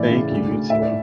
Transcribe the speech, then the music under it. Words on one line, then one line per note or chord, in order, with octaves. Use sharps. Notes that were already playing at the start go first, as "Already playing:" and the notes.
Thank you, you too.
Already playing: A2 E3 D5
C#3
D2
D2
A2 E5
D5